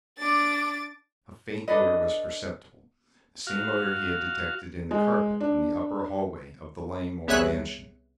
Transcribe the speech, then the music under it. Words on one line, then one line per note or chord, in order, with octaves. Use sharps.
A faint odor was perceptible, the same odor he had detected in the carpet on the upper hallway of the Langmore mansion.
D4 D6 A6 D7
D4 A4 B4 D#5
F#4 F5
G#3
D4
C2 B3 G#4 C#5 E5 F#6